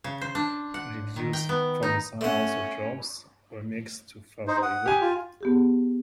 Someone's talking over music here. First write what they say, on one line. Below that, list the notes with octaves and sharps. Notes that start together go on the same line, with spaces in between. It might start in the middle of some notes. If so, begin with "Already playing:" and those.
Reviews for "The Son Also Draws" were mixed to favorable.
C#3
C5
D4
F#5
D#3
G5
B3
D#4
A3 C#4 F#5
D#4 C5
F#5 D#6
G4 G#5
F4
B3 G4 G#4